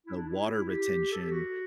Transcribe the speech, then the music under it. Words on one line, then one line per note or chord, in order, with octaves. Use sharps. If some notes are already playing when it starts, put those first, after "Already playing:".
the water retention,
E4
D4
E4
G4
A4
G4
F#4